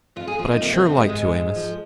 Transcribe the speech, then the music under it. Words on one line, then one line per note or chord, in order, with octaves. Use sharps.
But I'd sure like to, Amos.
F2 F4
G#4
F3 F4
D#4
C3 A#3
C4
F2 C4
G#3
G#2 G#3
G#2
F3